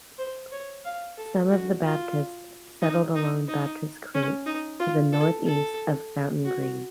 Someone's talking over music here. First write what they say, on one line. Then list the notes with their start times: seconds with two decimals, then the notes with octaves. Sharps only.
Some of the Baptists settled along Baptist Creek to the northeast of Fountain Green.
0.18 C5
0.52 C#5
0.85 F5
1.17 A4
1.50 F#4
1.84 F4
2.82 D#4
3.15 D#4
3.48 D#4
4.14 C#4
4.46 D#4
4.80 F4
5.13 A4
5.46 A4
6.45 F#4